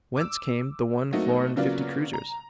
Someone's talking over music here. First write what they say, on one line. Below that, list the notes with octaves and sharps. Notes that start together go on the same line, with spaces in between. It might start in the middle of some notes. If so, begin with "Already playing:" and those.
Whence came the one florin fifty kreuzers?
D6 E6
F#3 A3 A#3 C4 D#4 F#4
C#3 F#3 A#3 B3 F4 D5
A#5